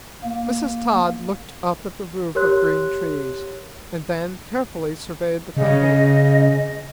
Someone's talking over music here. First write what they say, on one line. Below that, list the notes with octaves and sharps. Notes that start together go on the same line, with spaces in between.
Mrs. Todd looked up at the roof of green trees, and then carefully surveyed the company.
A#3
G4 A#4 C#5 C6 F#6
C#3 D#5